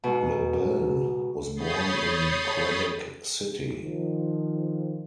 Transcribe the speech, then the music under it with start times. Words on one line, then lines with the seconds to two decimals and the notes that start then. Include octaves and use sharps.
LeBel was born in Quebec City.
0.04 G#2 B2
1.54 C#5 B5 D#6 G6 A6 C7
3.81 D#3 F3